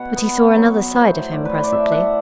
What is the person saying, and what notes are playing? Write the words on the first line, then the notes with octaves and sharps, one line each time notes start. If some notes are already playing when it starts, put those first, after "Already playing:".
But he saw another side of him presently.
Already playing: B2 F#5
B3
F#3
A2 C5
A2 D5
B4
C5
D5
D4 E5
F#5